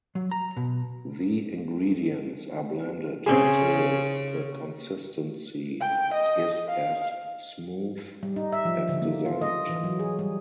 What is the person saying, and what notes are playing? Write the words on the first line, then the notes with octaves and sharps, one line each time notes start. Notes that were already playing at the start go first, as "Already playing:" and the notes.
The ingredients are blended until the consistency is as smooth as desired.
F#3
A#5
B2
C#3 C4 G#4
G5
D#5
F5
G3
D#4
E5
F3
D3
A#3
F4
D#5
E3
F#3
G#4
G3